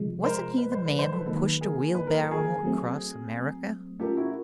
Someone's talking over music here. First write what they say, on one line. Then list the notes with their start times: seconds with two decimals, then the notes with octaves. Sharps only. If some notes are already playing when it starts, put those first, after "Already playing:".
Wasn't he the man who pushed a wheelbarrow across America?
Already playing: C3 F3 G#3
0.24 A#4 C5
0.58 B4
0.72 C5
0.86 B4
0.99 C5
1.12 A4 B4
1.26 D#3 F#3 A#3 A4 B4
1.61 G#4 A#4
1.95 B4
2.07 A#4
2.19 A4
2.31 G#4 A#4
2.63 F#3 A3 C4
4.00 A3 C#4 F4 G4 A4 A#4
4.16 E4 F#4